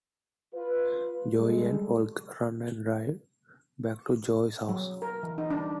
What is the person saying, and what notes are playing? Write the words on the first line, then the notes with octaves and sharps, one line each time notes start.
Joey and Oleg run and drive back to Joey's house.
F4 B4
G3 G#3 G#4 A4
F#3
A#4
E3
D#4
D4